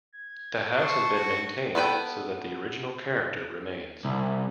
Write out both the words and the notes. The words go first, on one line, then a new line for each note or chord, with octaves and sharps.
The house has been maintained so that the original character remains.
G#6
C5 A5 C#6
F#4
B3 A4 B4 G5
C2